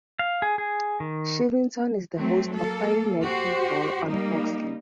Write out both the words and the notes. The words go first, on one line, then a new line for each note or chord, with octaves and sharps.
Shirvington is the host of Friday Night Football on Fox League.
F5
G#4
G#4
D#3
F#3 A3 C4
A#3 A4
F#4 G4 C5
G3 A#3 D#4